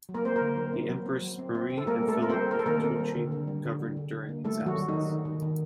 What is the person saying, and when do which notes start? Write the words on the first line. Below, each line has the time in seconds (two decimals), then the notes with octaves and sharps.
The empress Marie and Philip of Toucy governed during his absence.
0.09 F#3
0.14 A#3 A#4
0.25 C4 C5
0.36 A#3 A#4
0.41 D3
0.57 F#3
0.73 C4
0.90 F#3
1.06 C4
1.22 F#3
1.38 C4
1.55 C4
1.70 C4
1.77 A4
1.86 G3 A#3 A#4
2.02 G3
2.08 A3 A4
2.19 C4
2.22 A#4
2.30 C4 C5
2.35 G3
2.51 G3 A#4
2.59 A4
2.66 D#3 A#3 A#4
2.84 C4
3.00 G3
3.16 D3
3.32 D3
3.47 G3
3.65 D3
3.81 G3
3.97 D3
4.13 D3
4.29 A#3
4.45 G3 A3 A4
4.62 D#3 F#3 F#4
4.78 G3
4.88 D#3 D#4
5.10 D#3
5.25 D#3
5.42 D#3